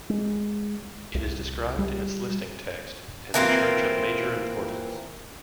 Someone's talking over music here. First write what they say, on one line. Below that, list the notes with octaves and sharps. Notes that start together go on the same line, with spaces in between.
It is described in its listing text as "a church of major importance".
G#3
C2
G3
E3 A#3 C4 F4